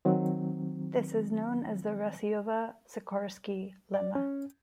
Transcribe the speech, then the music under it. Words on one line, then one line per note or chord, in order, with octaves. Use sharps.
This is known as the Rasiowa-Sikorski lemma.
D#3 F#3 C4
D5
C#4